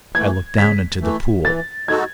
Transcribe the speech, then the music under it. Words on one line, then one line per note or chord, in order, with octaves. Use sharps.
I looked down into the pool.
E3 A3 G#6
C#3 B6
E3 A3
E3 A6
G#3 D#4 F#4 A4 G#6